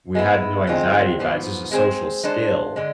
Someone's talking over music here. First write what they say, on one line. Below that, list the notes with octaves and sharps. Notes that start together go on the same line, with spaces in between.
We had no anxiety about it, it's just a social skill.
G#3 B3 E4
F2 D3 G#3 C4 F4
G#2 F3 B3
G#3 C4 G#4 C5
G#3 D4 A4 C5
D3 G#3